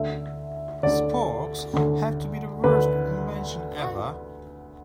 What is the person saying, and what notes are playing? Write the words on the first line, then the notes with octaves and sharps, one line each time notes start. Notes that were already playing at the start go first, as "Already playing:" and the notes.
Sporks have to be the worst invention ever.
Already playing: D2 D3 E5
D2 D3 D5
D2 D3
D2 D3 B4